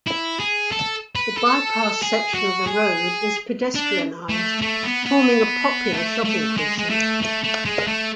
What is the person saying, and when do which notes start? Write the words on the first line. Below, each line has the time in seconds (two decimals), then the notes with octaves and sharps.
The bypassed section of the road is pedestrianised, forming a popular shopping precinct.
0.07 E4
0.40 G#4
0.72 A4
1.16 B4
1.37 A4
2.02 G#4
2.35 F#4
2.67 G#4
3.75 D4
4.30 A3
4.62 A3
4.84 B3
5.06 B3
5.93 A3
6.25 A3
6.57 G#3
6.78 G#3
6.90 A3
7.22 A3
7.44 A3
7.65 G#3
7.87 A3